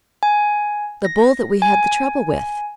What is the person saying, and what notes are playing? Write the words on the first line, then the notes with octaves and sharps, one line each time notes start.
The bull that we had the trouble with.
G#5
A#6
G#5